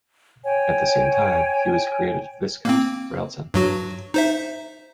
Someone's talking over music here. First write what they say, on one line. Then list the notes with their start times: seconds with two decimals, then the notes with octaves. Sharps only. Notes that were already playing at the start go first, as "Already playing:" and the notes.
At the same time, he was created Viscount Rialton.
0.44 C#5 G5 G#5
2.65 A#3 C4
3.54 G2 F#3 F#4
4.14 D#4 C5 E5